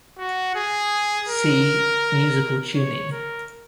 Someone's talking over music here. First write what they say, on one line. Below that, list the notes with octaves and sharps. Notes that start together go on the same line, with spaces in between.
See: musical tuning.
F#4
G#4
A#4
C#5
A#4